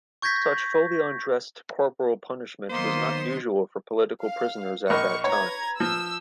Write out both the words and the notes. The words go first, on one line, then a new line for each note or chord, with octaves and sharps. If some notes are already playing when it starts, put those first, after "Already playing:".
Such fully undressed corporal punishment was not usual for political prisoners at that time.
C#6 G6 G#6 A#6 B6
D#3 F#3 A#3 B3 C5 D#5 C6
F5
A#1 A#4 D#5 C#6
B4 C#5 A#5 G#6
F3 E6